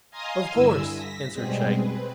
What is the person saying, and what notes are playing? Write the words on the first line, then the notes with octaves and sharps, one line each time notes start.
"Of course," answered Shaggy.
D#5 F5 G#5 A#5 C6 D#6
G2 D3 E4 G#5 E6
A#6 B6
B2 G3 G#3 C4 G#4
C4 B4